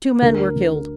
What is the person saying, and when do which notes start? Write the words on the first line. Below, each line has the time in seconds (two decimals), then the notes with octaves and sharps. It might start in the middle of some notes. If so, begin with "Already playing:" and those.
Two men were killed.
0.22 D2 A#4
0.56 D3